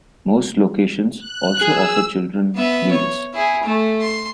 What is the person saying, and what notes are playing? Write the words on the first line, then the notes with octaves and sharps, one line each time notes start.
Most locations also offer children meals.
F#6
G#4 E6
B3 E5
C#5
E4 G#4
A3
C6